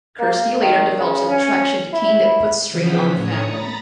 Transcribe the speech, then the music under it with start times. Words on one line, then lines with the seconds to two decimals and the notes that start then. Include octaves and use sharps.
Kirsty later develops an attraction to Kane that puts strain on the family.
0.19 A#3
0.61 D#3
0.98 C#3
1.28 C#4
1.93 E4
2.69 C#3 E3 F3 B3 C5 B6
3.12 A2 C#5 D#6 C#7
3.45 A#5 B5 A6 A#6